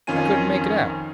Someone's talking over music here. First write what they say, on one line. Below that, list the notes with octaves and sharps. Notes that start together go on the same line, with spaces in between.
I couldn't make it out.
F2 D#3 C#4 F4 G#5 D#7